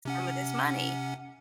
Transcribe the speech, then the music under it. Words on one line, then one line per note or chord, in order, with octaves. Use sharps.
some of this money
C3 C#4 F#5